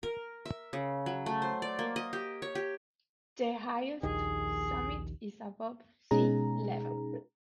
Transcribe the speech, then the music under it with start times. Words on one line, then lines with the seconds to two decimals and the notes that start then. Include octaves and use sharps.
The highest summit is above sea-level.
0.03 A#4
0.45 E5
0.73 C#3
1.06 F#3
1.26 A3
1.42 C5
1.62 D5
1.79 A#3
1.96 D#5
2.13 G4
2.42 C#5
2.55 G4
4.03 A#1 D#2 D#3 G#4
6.11 B2 G#3 C#4 D#4 G#4 A#5